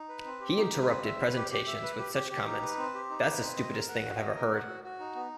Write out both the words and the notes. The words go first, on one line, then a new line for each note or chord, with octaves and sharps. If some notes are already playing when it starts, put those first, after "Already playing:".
He interrupted presentations with such comments That's the stupidest thing I've ever heard!
Already playing: D#4
B4
C4
G4
D#4
B4
C4
E5
B4
G4
G4
E5
B4
G4
G4
G4
D#4
B4
C4
G4
D#4
B4
C4
D#5
A#4
F#5
F#4
D#5
A#4
F#5
F#4
F#4
D#4
B3